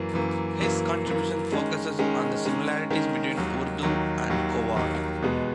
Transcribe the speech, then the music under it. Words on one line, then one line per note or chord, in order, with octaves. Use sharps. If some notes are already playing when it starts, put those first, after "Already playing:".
His contributions focuses on the similarities between Urdu and Khowar.
Already playing: F#2 E3 A#3
F#2 E3 A#3
F#2 E3 A#3
F#2 E3 A#3
D#3 G#3 C#4
D#3 G#3 C#4
D#3 G#3 C#4
D#3 G#3 C#4
D#2 D#3 F#3
D#2 D#3 F#3
D#2 D#3 F#3
D#2 D#3 F#3
E2 B2 G#3 B3